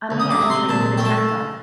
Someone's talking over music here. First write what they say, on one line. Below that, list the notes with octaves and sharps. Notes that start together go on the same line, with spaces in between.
A man trains an attack dog.
D2
D#6
D6
C3
C6
A#2 A5
A3 G5
A5